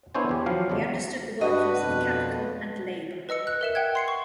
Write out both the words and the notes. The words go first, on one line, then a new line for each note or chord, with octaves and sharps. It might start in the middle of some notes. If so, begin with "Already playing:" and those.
He understood the workings of capital and labour.
B3 D4 E4 C5 C#5 G#5
E2 G4
F3 F#3 F5
E2 C#3 F#3 G3 A3
G2 D4 F#4 B4 D#5
F2 B2
B4 D#5 E6 C#7
F#6
A#4 E5 E7
F#5 G5 F#6 G#6
C6 C7 C#7
C#6